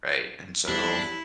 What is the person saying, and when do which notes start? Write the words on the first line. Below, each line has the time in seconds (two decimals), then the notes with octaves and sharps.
Right, and so,
0.68 E2 G3 D4 E4